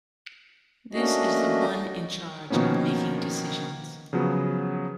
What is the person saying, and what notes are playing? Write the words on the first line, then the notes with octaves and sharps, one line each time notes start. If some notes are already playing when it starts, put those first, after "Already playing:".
This is the one in charge of making decisions.
A3 A#3 C#4 D4 F#4 D#5
B2 D#3 F3 A#3 B3 C#4
C#3 F3 F#3 B3